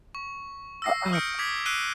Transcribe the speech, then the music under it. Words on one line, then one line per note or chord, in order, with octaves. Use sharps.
uh, oh god.
C#6
E6 A#6 C7
D#6 F6 G6 A#6 C#7 D7
D6 D#6 G#6 B6
E6 F#6 C7 D7 D#7 G7